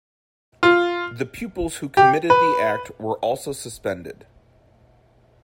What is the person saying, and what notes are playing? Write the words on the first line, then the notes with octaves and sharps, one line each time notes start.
The pupils who committed the act were also suspended.
F4
G4
B4